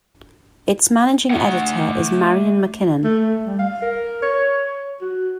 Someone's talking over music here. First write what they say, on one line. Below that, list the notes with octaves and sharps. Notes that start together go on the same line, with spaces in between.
Its managing editor is Marion MacKinnon.
A3 F#5
A3
G3
F5
A#4
C#5
F#4